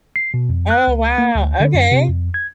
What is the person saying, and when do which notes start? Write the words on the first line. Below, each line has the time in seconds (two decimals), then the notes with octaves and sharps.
Oh, wow, okay.
0.16 C7
0.34 B2
0.49 F2
0.70 F#6
0.87 C#2
1.18 A#3
1.35 D2
1.60 D3
1.74 F#2
1.91 C3
2.08 F2
2.34 G#6